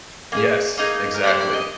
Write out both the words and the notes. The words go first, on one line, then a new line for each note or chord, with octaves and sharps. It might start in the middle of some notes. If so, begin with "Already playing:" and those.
Yes, exactly,
A#3 D#4 G#4 G#5
A#3 D#4 G#4
A#4
A#3 D4 G4 C5
D5
D#5